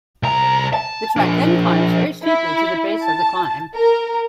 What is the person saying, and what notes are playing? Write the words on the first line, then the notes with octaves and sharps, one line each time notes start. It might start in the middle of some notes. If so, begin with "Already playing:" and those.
The track then climbs very steeply to the base of the climb.
C2 A#5
A5
F3 D4
E4
A5
A#4